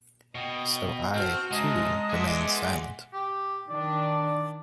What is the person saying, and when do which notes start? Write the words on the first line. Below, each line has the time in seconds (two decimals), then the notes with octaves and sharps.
So I, too, remained silent.
0.35 B2 D#5 G5
1.14 C4 F#4 A5 F6 G6
1.51 C3 G#3 C#4 D#5 A5 A#5 D#6
2.10 G#4 E5 F#5 C6 D6
3.13 G4
3.69 D#3 D4 D5